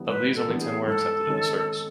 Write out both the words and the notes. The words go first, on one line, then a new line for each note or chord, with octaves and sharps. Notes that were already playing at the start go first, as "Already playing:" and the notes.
Of these only ten were accepted into service.
Already playing: E3 G3 B3 D4
G#2 B4
A4
E3 G3 B3 D4
G#4
G#2 A4
D#3 G#3 C#4